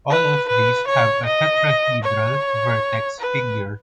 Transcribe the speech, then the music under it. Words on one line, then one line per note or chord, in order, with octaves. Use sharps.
All of these have a tetrahedral vertex figure.
B4
B4
C#5
D#5
C#5
B4